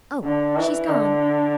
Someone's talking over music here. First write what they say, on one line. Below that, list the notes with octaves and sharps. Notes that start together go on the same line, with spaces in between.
"Oh! she's gone!"
D3
E3
D3